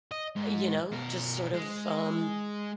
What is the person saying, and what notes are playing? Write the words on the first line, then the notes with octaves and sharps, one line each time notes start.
Eh, you know, just, sort of, um
D#5
G#2
B2 A#4
G#3